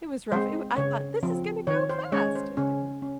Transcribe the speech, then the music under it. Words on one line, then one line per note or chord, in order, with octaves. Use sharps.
it was rough, it wa I thought, "This is gonna go fast." It didn't.
G#3 C4 C5
C#3 C#5
F3 C4
D#3 C#5
C5
G#3 C#4 C#5
C5
C#3 C#4
C#4